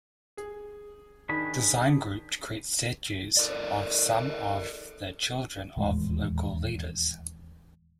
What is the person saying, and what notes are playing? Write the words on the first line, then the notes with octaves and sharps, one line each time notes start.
Design Group to create statues of some of the children of local leaders.
G#4
D#3 D4 G#4 B5
A4 A#4 D5
D#1 E2 A2 G#3